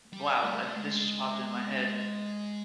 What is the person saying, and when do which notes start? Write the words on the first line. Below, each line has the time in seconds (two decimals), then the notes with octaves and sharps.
Wow. Uh, this just popped in my head.
0.13 G3
0.44 A3
0.75 G#3